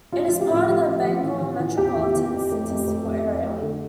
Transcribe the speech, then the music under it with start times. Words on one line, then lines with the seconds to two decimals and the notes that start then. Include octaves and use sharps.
It is part of the Bangor Metropolitan Statistical Area.
0.12 A1 F4
0.28 F3 F4
0.41 G4
0.50 A2 E4
0.55 F4
0.68 F3
0.86 A1
1.05 F3
1.23 E3
1.41 E3
1.59 E3
1.77 E2 G4
1.97 E3
2.15 E3
2.34 F2
2.52 A3
2.69 F2
2.88 A3
3.06 F2
3.25 F2
3.43 A3
3.62 D3